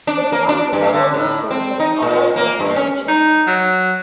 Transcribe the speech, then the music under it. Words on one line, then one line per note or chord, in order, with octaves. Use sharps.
It won the Governor General's Award for non-fiction.
D4
A#3
D4
G2
D3
A2
C4
D#4
A#2
A#3
G2
C#4
D#4
F#3